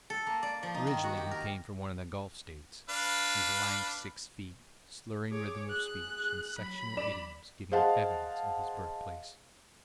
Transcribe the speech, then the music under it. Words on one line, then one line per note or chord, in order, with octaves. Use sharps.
Originally he came from one of the Gulf States, his lank six feet, slurring rhythm of speech, and sectional idioms giving evidence of his birthplace.
A4
A#3
D5
F3
D#4
D#3
F#4
G4
A#4
D4 B4 F5
G#4 C#5 D6
F#6
F#3 B5
D5 E7
G#4 C5 D#5 F5 F#5 A5